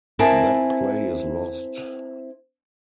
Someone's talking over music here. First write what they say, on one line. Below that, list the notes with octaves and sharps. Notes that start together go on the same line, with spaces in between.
That play is lost.
B3 C4 E4 A#4 G#5 A5